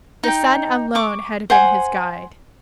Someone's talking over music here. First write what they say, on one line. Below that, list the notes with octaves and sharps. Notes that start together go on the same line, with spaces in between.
The Sun alone had been his guide.
D#4 G5
C#6 D6
C5 F#5 G#5